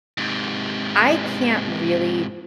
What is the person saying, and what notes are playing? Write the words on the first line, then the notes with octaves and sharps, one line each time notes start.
I can't really
G#2 C3